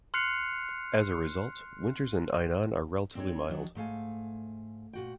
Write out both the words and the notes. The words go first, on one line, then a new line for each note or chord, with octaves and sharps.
As a result, winters in Ainan are relatively mild.
C6 F6 F#6 C7 C#7 F7
C4 D4 C#5
D#3 F#3 D4
G#2 A3 F5 G#5
A#2 F#4 G5